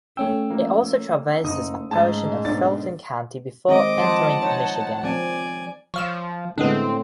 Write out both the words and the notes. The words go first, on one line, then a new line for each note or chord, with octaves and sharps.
It also traverses a portion of Fulton County before entering Michigan.
A3 C#4 C#5 G5 E6
F3 A#3
F#1 D#4 D#6
G#2 A5 D#6 A6
B1 D4 A6
D#3 G#3 C4 D#5 D6
F3 C5 F#5 A5
D#4 C#5
F3 C4 D5 G#5
F3 C#5 F5 E6
A2 D3 G#3 B3 C4